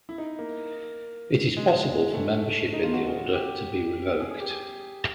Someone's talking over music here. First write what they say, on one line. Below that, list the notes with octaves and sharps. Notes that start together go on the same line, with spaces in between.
It is possible for membership in the Order to be revoked.
E4
D#4
A#3
G#3
A3
D#4
F4
F#4
G4
G#4
G#4
G4
G#4